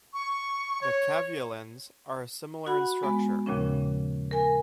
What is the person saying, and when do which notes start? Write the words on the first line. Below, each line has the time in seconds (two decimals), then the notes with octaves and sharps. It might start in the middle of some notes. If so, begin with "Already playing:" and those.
The caveolins are similar in structure.
0.13 C#6
0.81 C#5
2.67 F#4 F#5 B5
3.03 G#3 B3
3.46 D#2 A#2 C#3 F3 C#4
4.31 A#4 G#5